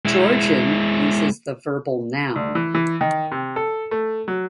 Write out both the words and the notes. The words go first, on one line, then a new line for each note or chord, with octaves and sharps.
Georgian uses the verbal noun.
G#3 E4
D2
E3
E3
D#3
C3
A4
A3
F#3